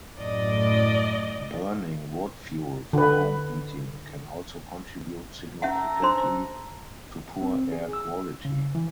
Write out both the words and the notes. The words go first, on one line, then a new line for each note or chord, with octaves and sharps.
Burning wood fuel for home heating can also contribute significantly to poor air quality.
F#2 A2 D5 D#5
D3 B4
C#4 A4 E5 F#5 A#5
D4 C5 C6
C4
G#4
E6
C#3
E3